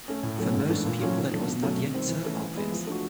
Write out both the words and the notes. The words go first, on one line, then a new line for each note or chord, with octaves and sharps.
For most people that was not yet so obvious.
A3 C#4
A2
F#3 A3 C#4
G#2
E3 A3 D4
A#2
F#3 A3 C#4 F4
D#3
F#3 A3 D4
B2
F#3 A3 C#4
C3
D#3 G3 C4
E3
A3 C#4
E3
G#3 B3 E4
F3
A3 D4 F#4